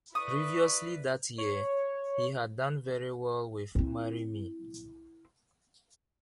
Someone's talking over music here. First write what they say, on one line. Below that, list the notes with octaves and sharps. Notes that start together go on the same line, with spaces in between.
Previously that year he had done very well with "Marry Me".
E4 B4 D5 C#6 D#6
C#5
C4 E4